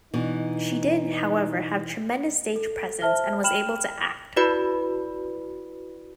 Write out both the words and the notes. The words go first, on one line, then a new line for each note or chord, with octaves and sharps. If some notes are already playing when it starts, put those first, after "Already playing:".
She did, however, have tremendous stage presence and was able to act.
B2 E3 D4 D#4
A4
C5 E5 A5 F6 G7
G5 B5 F6 E7 F#7
E4 F#4 B4 D5 B5